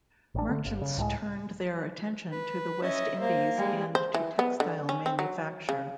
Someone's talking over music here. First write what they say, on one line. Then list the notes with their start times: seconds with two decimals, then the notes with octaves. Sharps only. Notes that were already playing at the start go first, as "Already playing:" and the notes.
Merchants turned their attention to the West Indies and to textile manufacture.
0.35 A1 D4
0.49 D3 A3
0.66 G1
0.81 C#3
0.97 C#2 A2 E3 G#3
2.32 B4
2.82 C#4 D#5 E5
3.20 A#3 C5
3.56 G3 G#3
3.95 C5
4.14 E3
4.39 B3
4.60 D3
4.89 C#4
5.06 C4
5.19 F#3
5.69 C#3